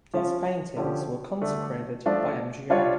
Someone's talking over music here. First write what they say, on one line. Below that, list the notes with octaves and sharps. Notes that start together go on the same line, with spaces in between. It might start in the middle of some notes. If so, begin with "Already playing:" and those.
These paintings were consecrated by Mgr.
F3 C#4 F4
D3 F3 C#4 G4
D3 A3 D4
F3 A3 D4 F4
G3 D4 F4 C#5